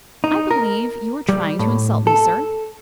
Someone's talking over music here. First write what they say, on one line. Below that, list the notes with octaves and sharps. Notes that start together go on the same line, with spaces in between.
"I believe you are trying to insult me, sir."
D#4
A#4
G3
A2
A4